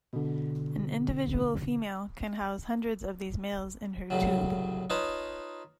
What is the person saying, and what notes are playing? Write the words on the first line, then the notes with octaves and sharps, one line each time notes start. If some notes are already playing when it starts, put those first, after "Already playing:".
An individual female can house hundreds of these males in her tube.
B2 D3
C2 A2 C#3 F#3
D#4 F4 B4 C#5 A5 D#6